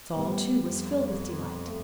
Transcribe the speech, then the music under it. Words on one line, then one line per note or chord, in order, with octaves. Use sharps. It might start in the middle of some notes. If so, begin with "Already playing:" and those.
Saul, too, was filled with delight.
A2 G3 B3
F2
A3